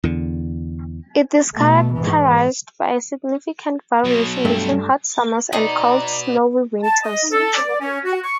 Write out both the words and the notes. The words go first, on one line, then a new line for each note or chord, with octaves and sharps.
It is characterized by a significant variation between hot summers and cold, snowy winters.
E2 D3
B2 A3
G#2 E3
B2 F#3
G2 A3 D4
D#4 F#4 B4 D5
A5
D#5
A4
D5
C#4
F#4
C#6